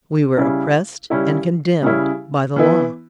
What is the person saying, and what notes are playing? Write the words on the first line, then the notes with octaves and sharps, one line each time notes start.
We were oppressed and condemned by the Law.
C#3 G3 C#4 E4
C#3 G3 C#4 E4
C#3 G3 C#4 E4
E3 B3 E4